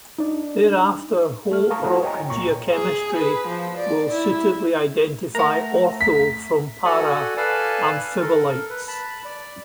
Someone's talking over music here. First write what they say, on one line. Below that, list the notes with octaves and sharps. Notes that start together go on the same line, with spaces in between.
Thereafter, whole rock geochemistry will suitably identify ortho- from para-amphibolites.
D4 D#4
A3 F6
F5 A5 A#5 C#6 D#6
E4 F#4 A4 C5 F#5 A#5
C#5 D#5 G5 G#5 A#5
C2 A#2 A#5 C#6
G#4
B4
F3
D5
E4
A3 A#4 F#5 A#5
B6
F#4 A4 D5 F#5 G#5
A4 B4 D5 F5 G#5 A5
A4 A#4
B4
A5 B5
D5